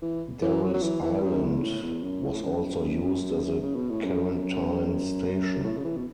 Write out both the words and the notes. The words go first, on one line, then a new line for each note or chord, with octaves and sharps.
Darrell's Island was also used as a quarantine station.
E3
E3
F#3
F#3
E3
E3
F#2
E2
A2
E2
F#2
A2
A2
F#2
C#3
B2
A2
F#2
A2
C#3
E3
B2